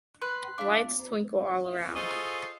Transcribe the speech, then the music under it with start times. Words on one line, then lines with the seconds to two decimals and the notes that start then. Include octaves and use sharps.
Lights twinkle all around.
0.22 B4 C6 F#6
0.58 D4 E4 F5 D6
1.96 F4 F#4 G#4 A4 C5 D#5